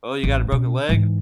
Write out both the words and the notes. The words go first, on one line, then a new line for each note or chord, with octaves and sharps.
"Oh, you got a broken leg?"
A1
B2 C#4
G#2 E3